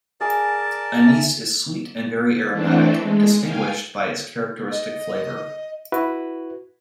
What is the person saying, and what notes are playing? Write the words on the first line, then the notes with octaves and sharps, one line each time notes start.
Anise is sweet and very aromatic, distinguished by its characteristic flavor.
G#4 A#4 D5 G#5 A5
E5 A#5
E3 A3 C4 D4 A4
G#3
F5 G5 G#5
D#5
E4 F#4 B4